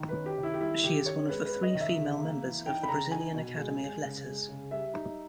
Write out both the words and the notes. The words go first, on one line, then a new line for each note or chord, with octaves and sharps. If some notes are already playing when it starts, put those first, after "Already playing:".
She is one of the three female members of the Brazilian Academy of Letters.
Already playing: D#3
B4
C#4
G4
D#3
E4
G4
G3 E4
D#3 G4
C#4 C#5
G#3 B4
B4
C#4
D#5
D#3
E5
C#3
A#3
E3
D#4 G5
B5
C#3 A#5
D#4 G#5
B2
G#3
G#3
C#3
G#3
C#3
G3 E5
D#4